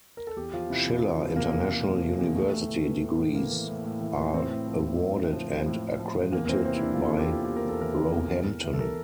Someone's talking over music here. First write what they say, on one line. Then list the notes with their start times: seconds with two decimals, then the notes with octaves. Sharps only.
Schiller International University degrees are awarded and accredited by Roehampton.
0.17 A#4
0.27 A4
0.37 E2 G4
0.53 F3 F4
0.70 C3 E4
0.86 E2
1.03 E2
1.20 F3
1.36 C3 A#3
1.53 E2
1.69 E2
1.85 F3
2.02 C3
2.19 E2
2.35 A2 A3
2.52 A2
2.68 E3
2.85 E3
3.02 A2
3.18 A2
3.35 E3 A#3
3.52 E3
3.68 A2
3.84 A2
4.01 E3
4.17 E3
4.34 A2 C4
4.51 A2
4.67 F3
4.83 F3
5.00 A2
5.17 A2
5.33 F3
5.50 F3
5.66 A2
5.83 A2
5.99 F3
6.16 F3
6.32 E2 A#3
6.45 A#3
6.49 E3 C4
6.65 C3 C4
6.76 E4
6.82 E2 D4
6.94 E2 F4
7.07 A4
7.15 E3 G4
7.31 C3 F4
7.44 E2 G4
7.56 A#4
7.65 E2 A4
7.81 E3 A#4
7.97 C3
8.14 E2
8.31 E2
8.48 E2
8.64 E3
8.74 A4
8.80 E3 A#4